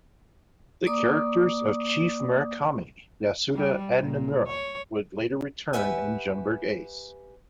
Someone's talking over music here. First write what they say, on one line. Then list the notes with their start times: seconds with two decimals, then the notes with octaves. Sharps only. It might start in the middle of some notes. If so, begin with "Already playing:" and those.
The characters of Chief Murakami, Yasuda and Nomura would later return in "Jumborg Ace".
0.87 A#3 D5 D6 D#6
3.55 G3
3.98 A#2
4.46 C#5
5.73 G4 A#4 B4 E5 F#5 G#5